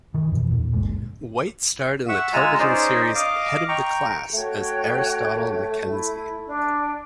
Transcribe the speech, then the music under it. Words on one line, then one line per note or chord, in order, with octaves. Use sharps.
White starred in the television series "Head of the Class" as Aristotle McKenzie.
D#3 E3
F2 B2 E3
E2 A#2
D1 G1 A#2 G#3
E5 F#5 C#6 E6
G#3 F4 G#5 A#5 E6
C#4 D#4 G#4 C5 D5 D#5
D#5 F5 D6
G5 A#5 C#6
A3 F#4 C#5 G5
E4
D4